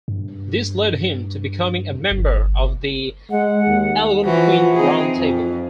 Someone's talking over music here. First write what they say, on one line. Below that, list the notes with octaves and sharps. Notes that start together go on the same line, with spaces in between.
This led him to becoming a member of the Algonquin Round Table.
G2
G1
G#3 F#5
D#2
E3 F3 F#4
C4 D#4 G#4
F2